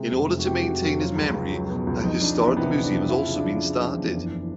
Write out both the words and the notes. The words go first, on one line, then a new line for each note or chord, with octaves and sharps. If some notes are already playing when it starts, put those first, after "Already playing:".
In order to maintain his memory a historical museum has also been started.
Already playing: C3 G#3
F1
F1
F#4
C3 G4
F1 F#4
F1 F#4
F#3 F4
C#2
C#2
F#3
B2
C#2
F2 D#4
F2 D4
E3 B3
C3 B3
C3
D4
F2
F3 E4
C#3
D4
F3
C#3
F3
E2
F#1